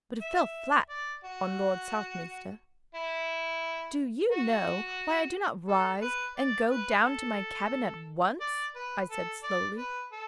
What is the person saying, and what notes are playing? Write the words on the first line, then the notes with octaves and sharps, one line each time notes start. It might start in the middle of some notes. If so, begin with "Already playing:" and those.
But it fell flat on Lord Southminster. 'Do you know why I do not rise and go down to my cabin at once?' I said, slowly.
E5
D5
F#4
E4
F#4
A4
B4
D5
B4
A4
D5
B4
A4
D5
B4
A4